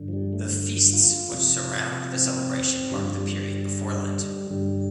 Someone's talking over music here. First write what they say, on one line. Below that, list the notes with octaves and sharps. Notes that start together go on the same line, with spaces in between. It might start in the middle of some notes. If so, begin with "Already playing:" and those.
The feasts which surround the celebration mark the period before Lent.
Already playing: G2 D3
F3
G3
A3
F4
F2 C3
C4
G2 D3 G3
F3
G3
G2 D3 G3